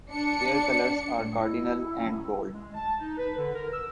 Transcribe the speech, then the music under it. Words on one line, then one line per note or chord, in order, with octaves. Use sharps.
Their colors are cardinal and gold.
D4 C#7
A2
E4 D#5
C#4 A5
D#3 G3
G#3
A5
D#4
B4
D3
A#4
E6